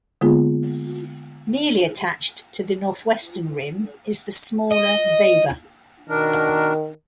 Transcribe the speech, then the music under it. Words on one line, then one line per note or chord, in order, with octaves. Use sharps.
Nearly attached to the northwestern rim is the smaller Weber.
D3 G#3 A#3 B3 F4 G#4
D#5
B2 D#3 D4 A#4